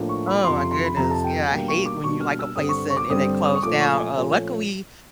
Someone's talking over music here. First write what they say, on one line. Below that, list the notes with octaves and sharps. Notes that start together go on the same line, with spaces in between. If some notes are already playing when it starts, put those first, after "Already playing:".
Oh my goodness, yeah, I hate when you like a place and and it close down. Uh, luckily,
Already playing: A2 F3 A#3 D4
C#6
B5
F2 C3 F3 C6
C6
C6
B5
F2 C3 F3 A#5
A5
G5
B2 G3 A#3 D4 G5
C#6
D6
B2 G3 A#3 D4 C#6
F6
E6
G2 D3 G3 C4 D#6
C#6
C#6
D6
G2 D3 G3 C4 D#6
D#6
C#6
A#2 F3 A3 C#4 D6
C#6
G#5
A#2 F3 A3 C#4